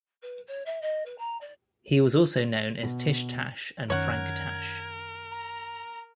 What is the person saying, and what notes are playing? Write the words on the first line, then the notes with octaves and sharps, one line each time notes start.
He was also known as Tish Tash and Frank Tash.
B4
C#5
E5
D#5
B4
A#5
D5
B2
F#2 D#3 C#4 A#4 C#5 F#5 G#6
A#5